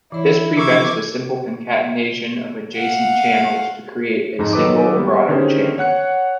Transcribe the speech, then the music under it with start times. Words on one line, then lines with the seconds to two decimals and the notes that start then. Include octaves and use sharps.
This prevents the simple concatenation of adjacent channels to create a single broader channel.
0.12 E3 E4 C#5
0.57 F3 A#4 C#6 D6 E6 G#6
2.75 F5 F#5
4.39 F2 G#2 D#4 A#5
4.53 D#3 F#3 A4 B4 D#5 D6
4.96 G3 A#3 B3
5.28 D3 D#3 C#4 G4 G#4 C5
5.78 C#5 F#5 F#6 C#7